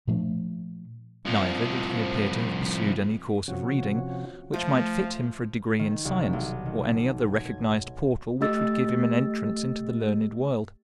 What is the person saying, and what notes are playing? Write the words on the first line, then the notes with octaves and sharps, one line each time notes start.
Neither did he appear to have pursued any course of reading which might fit him for a degree in science or any other recognized portal which would give him an entrance into the learned world.
A#2 F3 A3 D4
C2 F3
C3 F3 C#4 F#4
F3 A3
D#3
C2
B1
D#3
G#6
A3 G4 D#5 E6 A6